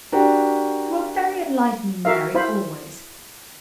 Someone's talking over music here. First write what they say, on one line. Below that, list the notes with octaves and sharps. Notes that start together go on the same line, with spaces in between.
You are very enlightening, Mary, always.
D4 F#4 G4 A#4 A#5
F#4 A#4 E5 F5
E4 C5 F5 B5